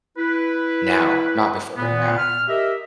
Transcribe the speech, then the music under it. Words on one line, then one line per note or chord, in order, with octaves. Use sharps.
Now. Not before, but now.
E4 B4
A#2 B3
F6
G4 A#4 D#5 E5